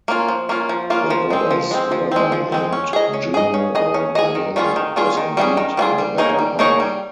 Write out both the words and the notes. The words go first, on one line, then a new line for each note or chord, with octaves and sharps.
The goddess, whether named Juno or Diana, was indeed the better half.
A#3 C#4 F4
F3
A#3 C#4 F4
F3
A#3 C#4 F4
F3
G#3 C4
F3
G#3 C4
F3
G#3 C4
F3
G#3 C4
C#4
G#4 D#5
C#4
G#4 D#5
C#4
G#4 D#5
C#4
G#4 D#5
D#3
G3 C#4 F4 G#4
D#3
G3 C#4 F4 G#4
D#3
G3 C#4 F4 G#4
D#3
G3 C#4 F4 G#4
G3
A#3 D#4 G#4 C#5
G3
A#3 D#4 G#4 C#5
G3